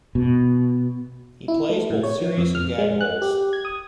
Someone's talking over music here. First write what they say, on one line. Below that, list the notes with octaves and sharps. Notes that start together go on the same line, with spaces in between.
He plays both serious and gag roles.
B2
E4
A3
A2
C#5
F3
F2
F6
G#3
F#6
G4
G#6
D#6